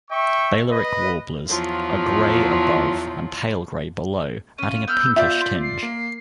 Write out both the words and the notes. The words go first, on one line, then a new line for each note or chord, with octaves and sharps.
Balearic warblers are grey above and pale grey below, adding a pinkish tinge.
E5 G5 C#6
B4 D#5
E2 F3 F#3 F4
C#4 F4 D#7
B3 E6 F6 G6
F4 D5 E5 G6
C6
C7
A#3